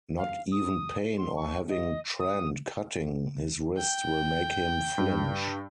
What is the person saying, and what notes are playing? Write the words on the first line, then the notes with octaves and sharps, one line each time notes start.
Not even pain or having Trent cutting his wrist will make him flinch.
F5
D#6
C6
C#6
D#5
D#6
G5
G2